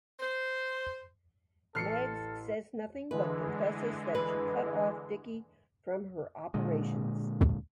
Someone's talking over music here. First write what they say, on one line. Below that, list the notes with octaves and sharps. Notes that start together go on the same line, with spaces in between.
Mags says nothing but confesses that she cut off Dickie from her operations.
C5
A1 A4 C6 F6 C7 C#7
D3 E3 G#3 B4
B4
A#2 D3 G#3